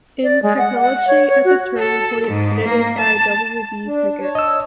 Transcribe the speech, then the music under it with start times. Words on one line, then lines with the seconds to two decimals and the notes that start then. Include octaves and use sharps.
In "Technology at the Turning Point", edited by W. B. Pickett.
0.23 D5
0.43 G#3
0.58 F#5
0.80 F#5
1.07 C#5
1.28 C#5
1.44 F#4
1.77 A4
2.26 G#2
2.64 A#3
2.97 A5
3.86 D4
4.20 C#5 A5
4.35 D#5 E6